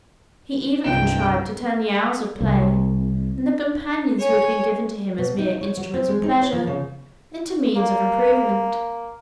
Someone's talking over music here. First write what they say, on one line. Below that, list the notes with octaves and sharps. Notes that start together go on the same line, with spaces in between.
He even contrived to turn the hours of play, and the companions who had been given to him as mere instruments of pleasure, into means of improvement.
F1 C2 G2 C#3 D#4 F4 G5 E7
C2
C#5 G#5
B2
D#4
C#5
F#3
C4
G#3
D#4
C#5
F3
C#3
A#3